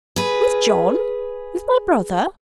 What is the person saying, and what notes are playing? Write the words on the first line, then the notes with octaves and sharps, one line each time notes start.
'With John! with my brother!
G#4 B4